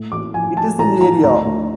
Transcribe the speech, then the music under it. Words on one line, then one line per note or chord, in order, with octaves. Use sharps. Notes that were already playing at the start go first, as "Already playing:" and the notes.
It is in area.
Already playing: A2
A1 D6
F3 G#5
F3 A5
A1 A#5
F3 A#5
D2 A#5
D2